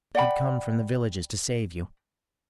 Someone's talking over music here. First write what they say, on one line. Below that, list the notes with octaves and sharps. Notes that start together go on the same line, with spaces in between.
He'd come from the villages to save you.
D5 F#5 G5 B5